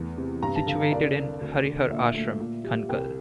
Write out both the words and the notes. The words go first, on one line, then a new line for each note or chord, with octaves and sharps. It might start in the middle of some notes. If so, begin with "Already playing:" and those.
Situated in Harihar Ashram, Kankhal.
Already playing: E2 A3
C3
G2 A#5
A5
D3 F5
F5
C2 D5
C3
D2
D3
A#2 E5
A3
A#2
G3
C2 G5